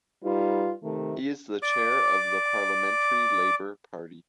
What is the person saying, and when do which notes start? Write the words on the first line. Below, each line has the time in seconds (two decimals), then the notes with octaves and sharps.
He is the Chair of the Parliamentary Labour Party.
0.23 G3 D#4 F4 B4
0.83 C3 D#3 A3
1.62 D5 D6